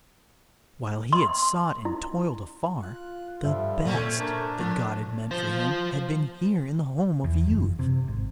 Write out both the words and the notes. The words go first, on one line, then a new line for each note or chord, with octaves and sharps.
While he had sought and toiled afar, the best that God had meant for him had been here in the home of youth.
C6
E4
F4 F#6
G2 D3 F3 G3 E5
A#2 A3 C4 C#4
D4 A#4
F3 A5
F3 C5
E2
F#1
C3
G#1